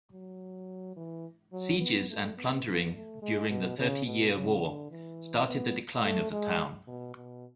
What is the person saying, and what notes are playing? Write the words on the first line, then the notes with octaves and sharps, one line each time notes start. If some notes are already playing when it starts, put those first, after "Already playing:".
Sieges and plundering during the Thirty Year War started the decline of the town.
F#3
E3
F#3
B3
A3
B3
B3
A3
G#3
B2
C#3
B2
C#3
D3
E3
B3
A3
G#3
B2
B2